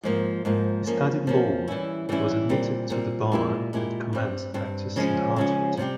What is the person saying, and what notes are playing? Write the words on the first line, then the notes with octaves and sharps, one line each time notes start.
He studied law, was admitted to the bar, and commenced practice in Hartford.
G#2 F3 A#3
G#2 F3 A#3
F3 A#3 C#4
F3 A#3 C#4
E3 G3 C#4 E4
E3 G3 C#4 E4
A#2 G3 C4
A#2 G3 C4
A#2 G#3 E4 G4
A#2 G#3 E4 G4
G2 G3 C4
G2 G3 C4
C#3 F3 G#3 C#4
C#3 F3 G#3 C#4
C3 G3 C4 G4